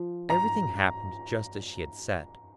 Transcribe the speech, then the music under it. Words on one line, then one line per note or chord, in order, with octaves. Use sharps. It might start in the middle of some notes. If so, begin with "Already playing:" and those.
Everything happened just as she had said.
Already playing: F3
A#5